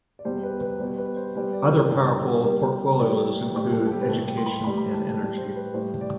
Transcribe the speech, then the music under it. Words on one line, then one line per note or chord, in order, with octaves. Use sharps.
Other powerful portfolios include Education and Energy.
D5
E2 B2 G3 C5
B4
B4
B2 G3 C5
B4
C5
B2 G3 B4
D5
C5
G2 E3 G3
B2 G3
A2 E3 G3 D5
A2 G3 C5
A4
A4
G4
B4
A2 E3 G3 A4
G5
C6
B5
A2 E3 G3 B5
B5
A5
A5
A2 G3
C5
B4
A2 G3 C5
D5